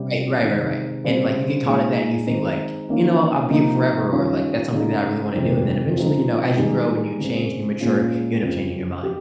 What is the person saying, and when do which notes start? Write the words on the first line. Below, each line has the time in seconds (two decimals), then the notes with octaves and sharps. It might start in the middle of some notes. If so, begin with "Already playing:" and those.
Right. Right, right, right, and like you get caught in that and you think like, you know, "I'll be it forever," or like, "That's something that I really wanna do," and then eventually, you know, as you grow and you change and you mature, you end up changing your mind.
Already playing: C3 G3 C#4 G4
0.43 C3 D#3 G#3 C4 D#4
1.04 C#3 G3 C4
1.65 A#2 G#3 D#4
2.27 D#3 G#3 C4 D#4
2.89 D#3 A#3 C#4 F4
3.50 C3 F3 A#3 D#4
4.12 D#3 G3 C#4 F4
4.73 C#3 G#3 D#4
5.35 F2 C3 D#3 G#3
5.96 C#3 F3 G#3 C4 D#4
6.58 G2 D#3 G#3 D#4 G4
7.19 C#3 G#3 C4
7.80 A#2 G#3 C#4 F4
8.43 F2 C#3 F3
9.03 G4